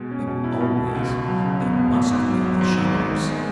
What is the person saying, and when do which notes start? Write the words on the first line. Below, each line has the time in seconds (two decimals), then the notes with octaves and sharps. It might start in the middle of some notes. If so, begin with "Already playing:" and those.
But always there must be the shadows.
Already playing: B2 G#3
0.11 C#4
0.27 B2
0.44 E4
0.61 B2
0.78 B2
0.95 C#2
1.11 C#2
1.28 F#3
1.45 C#3
1.60 B3
1.77 B3
1.95 G#1
2.11 G#2
2.28 F#3
2.44 F#3
2.61 G#2
2.77 G#1
2.94 G#3
3.11 D#3
3.27 G#3